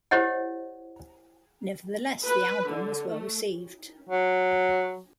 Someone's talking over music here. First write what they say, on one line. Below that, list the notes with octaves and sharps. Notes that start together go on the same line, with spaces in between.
Nevertheless, the album was well received.
E4 G4 C5 C#5 D#5 F#5
B4
D3
A3
F#3